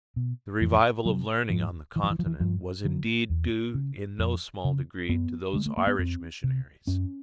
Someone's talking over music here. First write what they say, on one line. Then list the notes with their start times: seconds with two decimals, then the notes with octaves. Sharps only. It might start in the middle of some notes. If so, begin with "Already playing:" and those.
The revival of learning on the Continent was indeed due in no small degree to those Irish missionaries.
0.16 B2
0.61 F2 E3
1.05 C3 F#3
1.50 G#2 F3
1.96 E3
2.03 F3
2.10 E3
2.19 F3
2.26 E3
2.40 G2 F3
2.85 D3 F#3
3.30 E2
3.74 C#3
4.19 F2
4.65 C#3
5.09 F#2 B3
5.53 D3 G#3
5.66 A3
5.77 A#3
5.87 B3
5.98 F2 C4
6.44 C3
6.87 F#2 C#4